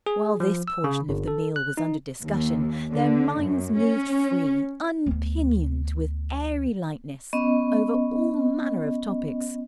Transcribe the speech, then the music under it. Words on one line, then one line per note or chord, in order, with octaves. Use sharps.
While this portion of the meal was under discussion their minds moved free, unpinioned, with airy lightness, over all manner of topics.
G#4
F3
E6
C#3
G1
A4
F#6
D#4
D#2
D3
F#2
C#4
D2 B3
B3 C#4 D#5